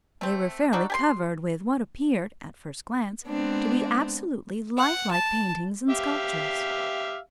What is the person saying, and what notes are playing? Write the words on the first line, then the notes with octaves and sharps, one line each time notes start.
They were fairly covered with what appeared, at first glance, to be absolutely lifelike paintings and sculptures.
A3 C4
D4 D#4 F#4 A4
G4 G#5 C6
G#3 B3 C4 D4
F#5
A5
G4 E5 F5